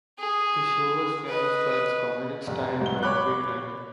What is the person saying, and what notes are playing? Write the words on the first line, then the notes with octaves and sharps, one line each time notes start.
The show was famous for its comedic style and offbeat writing.
G#4
B4 D#5
F1
C2 G7
C#5 B5 D6 F#6